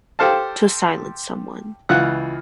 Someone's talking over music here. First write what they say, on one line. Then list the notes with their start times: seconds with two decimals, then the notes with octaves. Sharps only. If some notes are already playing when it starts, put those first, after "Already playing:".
To silence someone.
0.19 G4 A4 C5 F5 A5
1.89 C#2 E3 F4 F#5 F#6